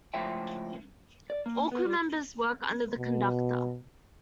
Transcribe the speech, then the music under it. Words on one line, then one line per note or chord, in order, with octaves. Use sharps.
All crew members work under the conductor.
C#2 A2 F3 C5 E5 G5
D5
A#3
B3
G3
B2